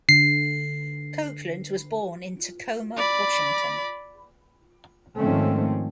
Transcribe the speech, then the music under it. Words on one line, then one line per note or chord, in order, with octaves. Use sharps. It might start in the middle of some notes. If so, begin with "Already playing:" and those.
Copeland was born in Tacoma, Washington.
D3 C7
D5 B5
G#2 D#3 F3 A3 C4 C#4